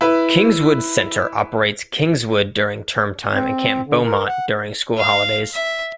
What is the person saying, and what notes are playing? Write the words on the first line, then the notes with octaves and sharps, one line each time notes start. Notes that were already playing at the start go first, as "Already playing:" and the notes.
Kingswood Centre operates Kingswood during term-time and Camp Beaumont during school holidays.
E4 B4
C4
D3
A#4
F#5
F5
E5